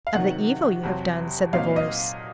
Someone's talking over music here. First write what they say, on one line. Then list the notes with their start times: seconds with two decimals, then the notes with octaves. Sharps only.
"Of the evil you have done," said the voice.
0.07 F5
0.15 C3 D#3 F#3 F#5
0.83 F2 C3 F#3 C4
1.53 A#2 F#3 C4 D#4 F5
1.76 D#5